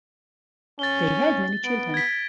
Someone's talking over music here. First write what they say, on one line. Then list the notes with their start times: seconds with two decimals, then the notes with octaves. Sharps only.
They had many children.
0.79 C#4 A6 G7
1.64 B3 D7
1.94 G#6 B6